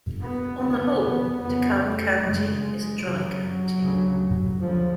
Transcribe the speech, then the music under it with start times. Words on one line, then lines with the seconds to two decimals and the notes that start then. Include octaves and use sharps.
On the whole, DeKalb County is a dry county.
0.22 B3
0.62 D2 C#3 B3
1.41 F2 C#3 B3
1.81 A3
2.22 F#2 C#3 G#3
3.02 F#2 C#3 F#3
3.82 D2 C#3
4.62 D2 C#3 F3